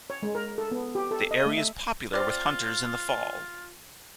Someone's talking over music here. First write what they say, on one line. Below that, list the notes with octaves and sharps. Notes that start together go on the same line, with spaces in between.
The area is popular with hunters in the fall.
C#5
G#3
A#4
A4
B3
G4
A4
D#5
A3
E5
C4 F4 D5